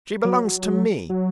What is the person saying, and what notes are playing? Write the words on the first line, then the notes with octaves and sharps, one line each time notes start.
She belongs to me.
F#3
F#3